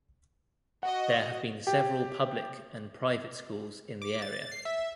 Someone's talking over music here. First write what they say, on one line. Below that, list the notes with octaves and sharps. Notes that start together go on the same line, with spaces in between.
There have been several public and private schools in the area.
F#4 D#5 F#5
G4
D6
A6
C7
E5